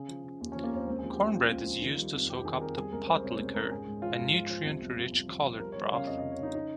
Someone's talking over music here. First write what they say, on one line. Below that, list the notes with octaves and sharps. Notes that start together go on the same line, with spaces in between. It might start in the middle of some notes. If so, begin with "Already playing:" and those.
Cornbread is used to soak up the "pot liquor", a nutrient-rich collard broth.
Already playing: C#3 G#4
F3
C#3
D#2
C#4
F3
A#3
D#2 C4
C#2 C4
G#4
F3
G4
F3 F4
C#2 F4
C#2
F3
D#3
G3
F2
F2 G4
D#3 G#4
F2 A#4
G3 G#4
C#2 A#4
G3 C5
C3 C#5
C#2 C#5
C#2 A#4
G#2 G#4
G#2
F3 F4
G#2
F3
F3
C2
C2
C2
C2
F3
F3
G3 A#4
G3 C#5
C#3 F5
F2 D#5
D#5
C#3
C#5
C#3 D#4
D#4